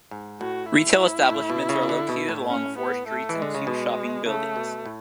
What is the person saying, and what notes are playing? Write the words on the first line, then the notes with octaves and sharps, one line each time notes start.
Retail establishments are located along four streets and two shopping buildings.
G#2
A2 F#4
E4
A2
B2
C#3
D3
B2
A2
C#4
B3
A3
E3
D3 G#3
C#3
B2
C#3 A3
B2
A2